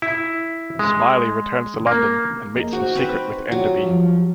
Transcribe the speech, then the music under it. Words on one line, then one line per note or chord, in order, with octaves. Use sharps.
Smiley returns to London and meets in secret with Enderby.
E4
G#3
A#3
A#3 G#4 D#5
D#4 F#4 C5
C4 B4
F#3 F4 G4 D5
F3 G3 F4